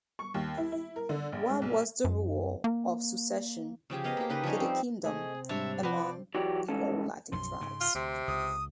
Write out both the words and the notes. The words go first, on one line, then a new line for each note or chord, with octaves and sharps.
What was the rule of succession to the kingdom among the old Latin tribes.
C#6
D#2
E4
E4
A#4
D3
A#1
G#2
B1
F#2
A#3
C#3 F3 G4 G#4
B3 A#4 D#5 F5
A#3 G4
C#3 D#4 B4 D#5
F3 G3 C#4 D#4
C4
C3 A3 C4 G#4 D#5
G#2 G3 D4 C#5 E5
F3 B3 F#4 D5
E3 F#3 F#4 G4 C#5 D5
C2 G#2 E3 C#4 A4
B1 F#2 F3 C6
G#2 C#3
F4
D2 C3
C#2 D#6